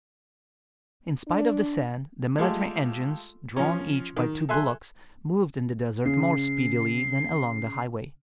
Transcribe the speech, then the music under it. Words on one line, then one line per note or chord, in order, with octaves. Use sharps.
In spite of the sand the military engines, drawn each by two bullocks, moved in the desert more speedily than along the highway.
D4
G#3 A3 F4 G4 A4
F3 C#4
D#3
A4 E5 G#5 C6 F#6
C#3 C7